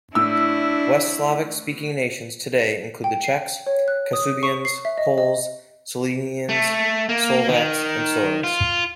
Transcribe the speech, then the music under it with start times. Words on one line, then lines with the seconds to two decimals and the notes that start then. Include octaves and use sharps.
West Slavic speaking nations today include the Czechs, Kashubians, Poles, Silesians, Slovaks and Sorbs.
0.15 A2 D4 E4 E6
3.04 G5
3.24 C7
3.66 C#5
3.88 F#6
4.13 D#6
4.43 C#6
4.65 C7
4.85 E5
4.98 D#5
5.18 D#5
6.49 A3
7.09 A#3
7.49 D#3
8.44 F4